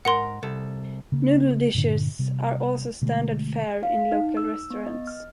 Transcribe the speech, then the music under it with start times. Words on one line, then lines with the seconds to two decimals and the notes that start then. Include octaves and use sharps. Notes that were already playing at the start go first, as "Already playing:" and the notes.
Noodle dishes are also standard fare in local restaurants.
0.05 G#2 A#4 F#5 C6
0.43 C2 A4
1.12 C#3 A#3
1.74 G2 A#2 D3
2.19 C3 G3
3.02 B2 D3 G#3 A3
3.83 F5
4.11 D#4
4.37 E6
4.71 B3
4.87 D#5
5.07 F6